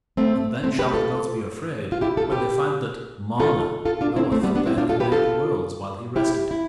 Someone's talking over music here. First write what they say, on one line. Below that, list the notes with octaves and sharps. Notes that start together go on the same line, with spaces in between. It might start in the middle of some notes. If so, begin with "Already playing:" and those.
And then shall the gods be afraid when they find that MANA knoweth that they have made Worlds while he rested.
A3 C4
A3 C4
G4 B4
F4 A4
F4
E4 G4
F4 A4
G4 B4
F4 A4
F4 A4
D4 F4
C4 E4
A3 C4
G3 B3
B3 D4
C4 E4
D4 F4
F4 A4
G4 B4
F4 A4
E4 G4
E4